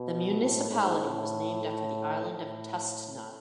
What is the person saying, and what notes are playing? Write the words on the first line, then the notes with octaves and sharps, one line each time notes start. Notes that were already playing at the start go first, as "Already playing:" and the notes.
The municipality was named after the island of Tustna.
Already playing: B2
A2
G#2
A2
A2
A2